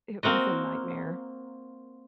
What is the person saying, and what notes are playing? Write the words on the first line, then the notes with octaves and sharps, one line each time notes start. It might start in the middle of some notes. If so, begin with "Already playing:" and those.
it was a nightmare.
A#3 C4 F#4 D#5